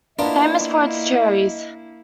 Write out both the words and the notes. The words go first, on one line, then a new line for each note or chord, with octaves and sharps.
Famous for its cherries.
A#3 B3 D4 E4 F4 A#4 D#5